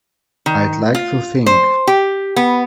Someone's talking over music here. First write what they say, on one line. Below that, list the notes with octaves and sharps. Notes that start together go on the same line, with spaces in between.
I'd like to think.
D#3
F4
C5
G4
B3